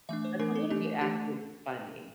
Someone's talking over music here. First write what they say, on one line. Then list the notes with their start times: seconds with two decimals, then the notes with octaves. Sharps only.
That's a little bit actually funny.
0.09 E3 A3 D4 E5
0.24 C5
0.39 E3 A3 D4 A#4
0.56 A4
0.70 E3 A3 D4 G4
1.01 E3 A3 D4 G4